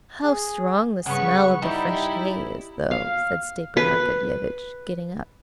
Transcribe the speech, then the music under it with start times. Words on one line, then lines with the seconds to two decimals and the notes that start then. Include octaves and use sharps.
"How strong the smell of the fresh hay is, though," said Stepan Arkadyevitch, getting up.
0.23 G#4
1.06 G2 C#3 B3 B4 F#5 C#6
1.62 G3 D#4 E4
2.91 F5
3.77 B4